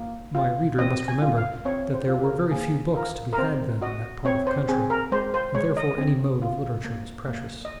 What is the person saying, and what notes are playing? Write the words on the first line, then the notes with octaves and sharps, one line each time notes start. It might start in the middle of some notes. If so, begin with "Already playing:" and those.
My reader must remember that there were very few books to be had then in that part of the country, and therefore any mode of literature was precious.
Already playing: A#3
F4
C4 D#5
G#5
F4
F5
C4 C#5
C5
F4
A#4
A#3 G#4
F4 A#4
A#4
C4 C5
F#4 D#5
C4 C#5
C5
C4 G#4
A#4
G#3 C5
C5
G#3 C#5
D#5
C4
F4
A#3
A#3
D#5